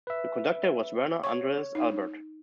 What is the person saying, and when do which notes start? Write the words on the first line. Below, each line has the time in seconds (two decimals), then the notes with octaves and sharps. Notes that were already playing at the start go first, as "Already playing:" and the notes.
The conductor was Werner Andreas Albert.
0.07 B4 E5
1.24 C#5 C#6
1.75 D#4